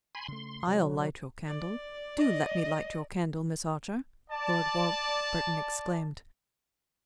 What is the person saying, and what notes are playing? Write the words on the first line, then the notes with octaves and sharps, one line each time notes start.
"I'll light your candle; do let me light your candle, Miss Archer!" Lord Warburton exclaimed.
G#5 B5 C6
C#3 A3 C6
C3 F#3
D5
D#5
D5 A5